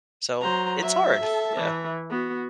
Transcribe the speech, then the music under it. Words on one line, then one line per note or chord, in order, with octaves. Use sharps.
So, it's hard! Yeah.
F#3 C5 A#5
E5
A4 A5
E3
B3 F#4